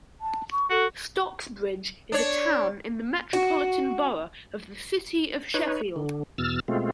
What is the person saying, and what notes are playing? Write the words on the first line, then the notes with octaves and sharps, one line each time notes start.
Stocksbridge is a town in the metropolitan borough of the City of Sheffield.
A5
C#6
F#4 A4
D4 C#5
F#4
D#4 B4 C#5
D3
E2 B2 E6 F6 A6
B2 G#3 A3 C4 F4